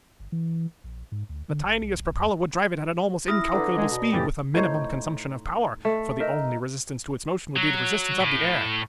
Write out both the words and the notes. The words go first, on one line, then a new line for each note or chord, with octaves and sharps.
The tiniest propeller would drive it at almost incalculable speed with a minimum consumption of power, for the only resistance to its motion would be the resistance of the air.
G1
E3
A#1
G#2
D2
D3
G#1
B1
B1
E2
E4 D#6 F6 A#6
D3 B4 D5 A#5
G#3
B2
F1 A2 E3 G4 A6
A2 D#4 C5 C#5
A3
D#4 A#4 E5
F#3
A2